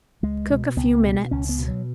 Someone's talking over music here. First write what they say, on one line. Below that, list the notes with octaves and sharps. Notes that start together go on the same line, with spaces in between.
Cook a few minutes.
C#2 G#3
B2
C#2 B3
B2
C#2 C#4
B3
B2
F#3